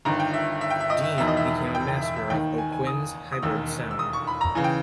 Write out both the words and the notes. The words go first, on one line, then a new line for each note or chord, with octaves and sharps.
Dean became a master of O'Quinn's hybrid sound.
G1 G2 D#3 A#5
G5
E5
E5
G5
E5
D#5
E5
E1 E2 D#3 E5
D#5
E5
G5
G5
E5
E5
D#2 D#3 G5
G#5
G#5
D#6
D#6
E1 D#2 D#3 E6
E6
D#6
C#6
B5
A#5
C#3 E3 G#5
G5